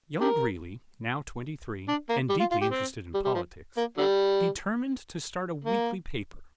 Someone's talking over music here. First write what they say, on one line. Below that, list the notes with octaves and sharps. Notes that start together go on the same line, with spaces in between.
Young Greeley, now twenty-three, and deeply interested in politics, determined to start a weekly paper.
D4 G4 A#4
D4
A#3
G3
F4
F4
G4
C4
G3
G3
F3
A#3
D3 G3
A#3